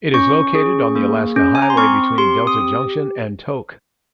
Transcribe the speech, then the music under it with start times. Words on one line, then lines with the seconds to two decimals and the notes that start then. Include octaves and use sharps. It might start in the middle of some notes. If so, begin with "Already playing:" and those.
It is located on the Alaska Highway between Delta Junction and Tok.
0.14 C#4 C#6
0.55 G#4
0.95 A#3
1.36 C#4
1.55 G#5
1.62 A#5
1.70 C6
1.77 C4 C#6
2.18 G4 C6
2.47 D#6